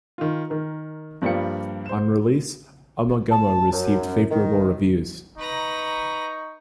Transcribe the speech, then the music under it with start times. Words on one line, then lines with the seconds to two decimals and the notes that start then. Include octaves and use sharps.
On release, "Ummagumma" received favourable reviews.
0.18 D#3 F4
0.50 D#3 A#4
1.22 G2 F3 G3 A#3 G5 C#7
1.86 C5 E7
3.31 A5
3.72 F#2
4.31 D#3
5.38 D#4 B4 A#5 C#6